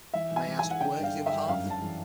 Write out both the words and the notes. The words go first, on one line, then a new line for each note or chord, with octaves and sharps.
May I ask where is the other half?
E3 E5
E3
G#5
E3
G#5
E3
F#5
D3 G5
G2
F5
D3
E5
G2
F#2 F5
F#2 A5
E3